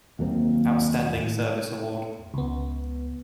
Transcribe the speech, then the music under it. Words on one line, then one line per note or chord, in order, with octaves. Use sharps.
Outstanding Service Award.
D#2 F#3 A#3 C4
A2
C#2 B3